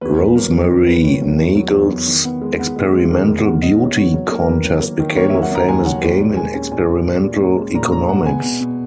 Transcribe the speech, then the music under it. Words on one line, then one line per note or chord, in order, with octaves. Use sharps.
Rosemarie Nagel's experimental beauty contest became a famous game in experimental economics.
E2 B4
E2 B4
F#3 A#4
F#3
D#3 A#4
E2 B4
D#3 C#5
F#3
E2
F#3
E2
E2
D#3
B3
G#3
B3
G#3
G#3
D#3 A#4
E2
G#3 F#5
G#3 D#5
E2 C#5
B3 C#5
F#3 C#5
A#3 A#4
A#4
D#3 B4
F#3
A#3
D#3
A#3 C#5
F#3 E5
F#5
F#3 A#5
D#2 G#5
F#3 F#5
D#2
A#2
G#3 G#5
C#4 G#5
A#2 G#5
C#4
A#2
A#2
C#4
G#3
A#2 A#5
C#4 A#5
G#3 F#5
B3 G#5
B2
B2